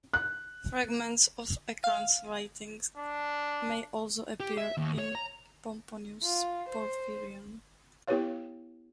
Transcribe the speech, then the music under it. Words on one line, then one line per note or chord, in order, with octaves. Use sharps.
Fragments of Acron's writing may also appear in Pomponius Porphyrion.
F#6
F5
D4
G4
E5
D#2
C#5
A#5
F4
C5
B3 E4 G4 B4 C#5 F5